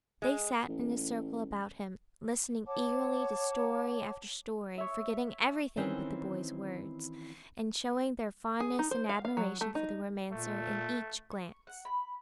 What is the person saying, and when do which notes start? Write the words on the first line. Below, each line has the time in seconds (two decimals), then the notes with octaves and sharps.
They sat in a circle about him, listening eagerly to story after story, forgetting everything but the boy's words, and showing their fondness and admiration for the romancer in each glance.
0.22 G#3
0.68 A1
2.67 C#5 F#5 A5 D6
4.78 C#5 E5
5.77 D#3 E3 C4 C#4 B4 C5
8.60 G#4
8.79 D#4
8.91 C5
9.09 F5
9.25 F5
9.37 F#3
9.61 A3
9.75 D#4
10.31 A#2 A3
11.31 C#6
11.67 F#5
11.85 B5